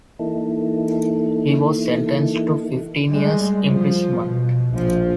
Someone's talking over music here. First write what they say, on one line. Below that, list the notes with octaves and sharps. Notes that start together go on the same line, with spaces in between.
He was sentenced to fifteen years imprisonment.
E3 A#3 D#4 E4 A4
G3 G#3
F3
B2
A#1 F3